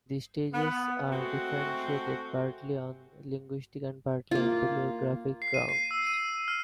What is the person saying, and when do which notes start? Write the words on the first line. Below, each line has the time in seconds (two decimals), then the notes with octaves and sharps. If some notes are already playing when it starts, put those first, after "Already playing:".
These stages are differentiated partly on linguistic and partly on paleographic grounds.
0.53 B3
1.12 G#3 A3 C4 F#4
4.31 A#3 F4
5.42 C7
5.54 D#7
5.69 C7
5.91 E6
6.07 D#7
6.48 F6